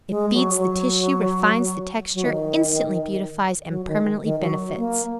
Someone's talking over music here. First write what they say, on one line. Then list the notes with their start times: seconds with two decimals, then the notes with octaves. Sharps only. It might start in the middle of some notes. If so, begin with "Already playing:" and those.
It FEEDS the tissue, REFINES the texture, INSTANTLY beautifies, and PERMANENTLY benefits.
0.09 G#3
0.33 F#3
0.58 F#3
2.14 F#3
2.25 D#3
3.69 F#3
3.87 D#3
4.23 D#3
4.41 F#3
4.77 A#3